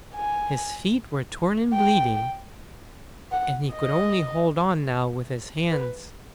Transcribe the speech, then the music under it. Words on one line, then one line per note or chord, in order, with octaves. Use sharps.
His feet were torn and bleeding, and he could only hold on now with his hands.
G#5
G5
F#5
D#5
B4